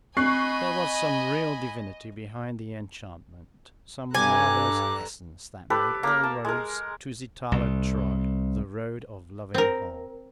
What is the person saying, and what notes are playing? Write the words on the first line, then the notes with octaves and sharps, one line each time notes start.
There was some real divinity behind the enchantment, some marvellous essence that made all roads Tusitala trod the Road of Loving Hearts.
C4 D#5 G#5 B5 C#6 F#6 C7
G2 A4 G#5 A#5 D6 F#6
G4 A4 B4
A#3 A#4
A5
G#3 A#4
C2
C4 A#4